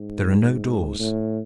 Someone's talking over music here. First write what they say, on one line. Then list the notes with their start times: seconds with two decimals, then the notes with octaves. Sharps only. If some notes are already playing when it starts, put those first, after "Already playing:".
There are no doors.
Already playing: G#2
0.99 A2